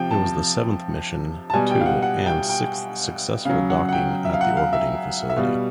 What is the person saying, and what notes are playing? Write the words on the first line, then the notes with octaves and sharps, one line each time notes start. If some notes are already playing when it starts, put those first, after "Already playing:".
It was the seventh mission to and sixth successful docking at the orbiting facility.
Already playing: C3 F3 G5
A5
A5
B2 G3 G#5
G5
F5
F#5
F#5
G5
G5
C#3 F#3 F5
F#5
F#5
G5
E5
F5
F#5
F5
E5
E5
B2 G3 F5